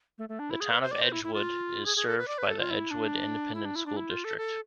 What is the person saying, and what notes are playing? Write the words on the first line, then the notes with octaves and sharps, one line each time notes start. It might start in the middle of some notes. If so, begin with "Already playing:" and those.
The Town of Edgewood is served by the Edgewood Independent School District.
A3
A3
D4
E4
G#4
B4
C5
D5
C5
E4
E4
F4
G#4
G#4
A4
B4
D5
B4
A4
F4
E4
D4
E4
D4
E4
D4
E4
F4
A4
A4